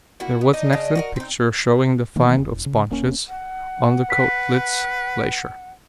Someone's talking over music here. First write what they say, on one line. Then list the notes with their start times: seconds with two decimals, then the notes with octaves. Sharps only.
There was an excellent picture showing the find of sponges on the Koettlitz Glacier.
0.20 A#3 E4 F#4
0.41 B3
0.54 D4 D#4 D#5
0.73 C#3 D4 F5
0.95 F#4 G4 A#4
1.16 C4 D#4
2.16 D#3 E3 A#3
2.37 E1
2.66 C#3
2.90 D#1 A#3 C#4
3.29 F#5
4.10 B4 B6